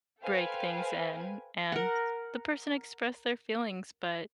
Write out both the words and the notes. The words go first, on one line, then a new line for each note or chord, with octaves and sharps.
break things in and the person expressed their feelings, but
A4 B4 C5 F5 G5 G#5
A#4 F#5